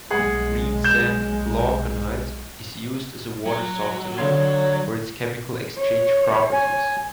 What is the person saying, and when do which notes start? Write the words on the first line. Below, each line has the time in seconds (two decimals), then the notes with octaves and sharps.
Greensand glauconite is used as a water softener for its chemical-exchange properties.
0.10 B1 G#3 G#4 F#5
0.84 G6 E7
3.46 F#3
4.18 D3 C#5 F5 C6
5.77 C#5
6.53 G#5